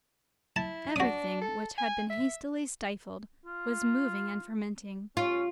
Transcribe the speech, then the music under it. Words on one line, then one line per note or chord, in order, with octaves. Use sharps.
Everything which had been hastily stifled was moving and fermenting.
E4 A5
D4 F#4 D#6
A4
G#5
E5
F4
C#4 F4